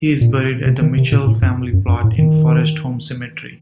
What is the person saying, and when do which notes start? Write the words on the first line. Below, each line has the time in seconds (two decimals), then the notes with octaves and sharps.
He is buried at the Mitchell family plot in Forest Home Cemetery.
0.21 A#2
0.66 C3
0.82 D#3
0.98 C3
1.12 A#2
1.27 A2
1.42 F#2
1.73 F#2
1.88 F#2
2.04 A2
2.18 D#3